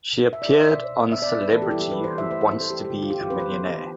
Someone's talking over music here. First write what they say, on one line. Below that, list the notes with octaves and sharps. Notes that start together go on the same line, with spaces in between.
She appeared on Celebrity Who Wants To Be A Millionaire?
C3
C3 E5
D5
C3 C5
E5
D5
B2
B2
B3 E5
D5
B3
B4
E3 A4
G4
G3 E4
G4
E3 B4
C5
E3
E5
A3 C5
C5
C4 C5
A4
C4 G4
G4
D3 F4
F4
E3 G4
F4
E3 B4
C5
B3
E3